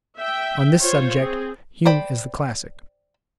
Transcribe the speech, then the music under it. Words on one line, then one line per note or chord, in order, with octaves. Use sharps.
On this subject Hume is the classic.
E5 G5
F4 C5 C#5
C4 G#4
C5 D5 G5 B5